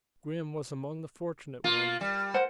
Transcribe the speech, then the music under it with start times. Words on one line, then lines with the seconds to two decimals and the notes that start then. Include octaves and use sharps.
Grim was among the fortunate ones.
1.64 A#3 F4
2.01 G3
2.34 A#4 C5 F#5